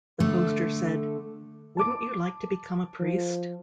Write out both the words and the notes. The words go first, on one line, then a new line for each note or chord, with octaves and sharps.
The poster said: 'Wouldn't you like to become a priest?'.
D3 A3
A5 D6
F3